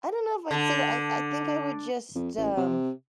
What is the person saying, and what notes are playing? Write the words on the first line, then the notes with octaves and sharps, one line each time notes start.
I don't know if I'd say that. I I think I would just, um,
D3
F2
A1
C3